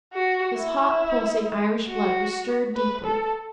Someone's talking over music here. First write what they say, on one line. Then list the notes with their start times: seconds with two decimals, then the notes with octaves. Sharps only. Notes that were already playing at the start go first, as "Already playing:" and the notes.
His hot, pulsing Irish blood was stirred deeply.
0.13 F#4
0.57 E4
1.89 F#4
2.75 B4
3.05 A4